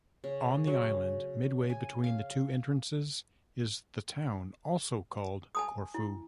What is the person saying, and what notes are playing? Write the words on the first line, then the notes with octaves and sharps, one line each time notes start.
On the island, midway between the two entrances, is the town also called Corfu.
C#3
F#3
G#5
F5
G#5 A5 D#6
E4